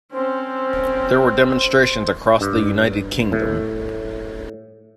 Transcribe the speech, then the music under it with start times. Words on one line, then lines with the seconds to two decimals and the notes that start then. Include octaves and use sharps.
There were demonstrations across the United Kingdom.
0.13 C4 C#4 C5
2.41 G2
3.32 A2